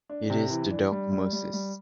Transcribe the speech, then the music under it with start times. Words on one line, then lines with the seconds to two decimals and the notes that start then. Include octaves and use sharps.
It is the dog Moses.
0.09 D4
0.30 C3
0.51 E3
0.71 D4
0.92 G3
1.12 G3
1.33 G3
1.53 G3